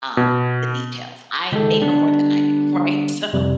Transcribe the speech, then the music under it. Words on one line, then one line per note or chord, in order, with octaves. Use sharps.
um, the details. I they know more than I do, right? So,
B2
C#2 D#3 G#3 G4 A4
D3 G3 B3 D4
F2 C3 G3